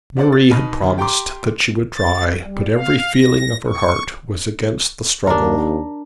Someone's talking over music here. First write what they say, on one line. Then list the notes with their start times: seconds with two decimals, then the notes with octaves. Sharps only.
Marie had promised that she would try, but every feeling of her heart was against the struggle.
0.16 D4 F#4 C5 D5 F#5
0.32 A6
0.51 B2 D#4 D#5 B5 F6 D#7
0.82 D2
0.98 G4 G5 A#5 C6 D6
1.94 A6
2.44 G3
2.75 F5
3.13 A#6
3.68 C#6
5.27 D#2 D4 A#4